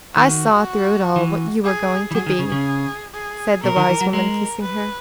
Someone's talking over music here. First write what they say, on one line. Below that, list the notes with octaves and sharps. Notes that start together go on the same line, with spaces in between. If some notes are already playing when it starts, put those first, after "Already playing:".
"I saw, through it all, what you were going to be," said the wise woman, kissing her.
D#3 F#4
E3
G#4
E3
F#3 G#4
D#3
C#3
C#3
G#4
B2 A#4
D#3
E3
F#3
G#3 A#4
B4